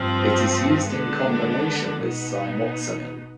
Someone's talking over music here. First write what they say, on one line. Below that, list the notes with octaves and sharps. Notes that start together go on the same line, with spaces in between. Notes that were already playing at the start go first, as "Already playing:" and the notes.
It is used in combination with cymoxanil.
Already playing: G2 F3 C4
D3 G#3 B3 D4
B2 B3 D#4